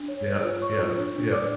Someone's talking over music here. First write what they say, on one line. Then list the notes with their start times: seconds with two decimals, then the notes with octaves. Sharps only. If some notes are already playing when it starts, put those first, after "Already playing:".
Yep, yep, yep.
Already playing: D4
0.08 C#5
0.26 C#5
0.44 F4
0.61 C#5 C#6
0.79 F4
0.97 D4
1.15 D4
1.33 D5 D6